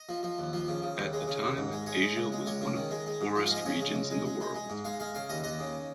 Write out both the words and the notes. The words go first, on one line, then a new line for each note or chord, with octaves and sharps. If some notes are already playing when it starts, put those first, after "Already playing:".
At the time, Asia was one of the poorest regions in the world.
Already playing: D#5
F3
F3
D#2
F3
C#3
C#3
D#2
G#3
C#3
D#2
G#2
G#3
G#3 C#5
G#3
C#2
G#3
C#2 C#5
C#3
D#3
G#3
G#3
G#2
F3
F5
G#3 D#5
C#3 C#5
G#3
C#2
G#3
G#3
G#3
G#3
G#2
G#3 F5
G#3 F5
C#3 F5
D#2 D#5
D#2 D#5
C#3